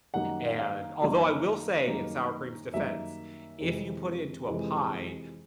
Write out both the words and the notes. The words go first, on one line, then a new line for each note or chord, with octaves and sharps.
and although I will say in sour cream's defense, if you put it into a pie,
F#2 D#3 G3 A#3 F#5
F5
F#2 D#3 G3 A#3
F#2 D#3 G3 A#3
F#2 D#3 G3 A#3 E5
F2 C3 E3 G#3
F2 C3 E3 G#3